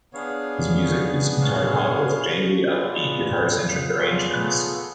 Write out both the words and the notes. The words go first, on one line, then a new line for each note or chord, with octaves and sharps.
His music is guitar pop with jangly, upbeat, guitar-centric arrangements.
B3 D4 G#4 C#5 F5
C#5 F5
B3 F4 G#4 B4 D5
A4 C#5
B4 D5
A4 C#5
A4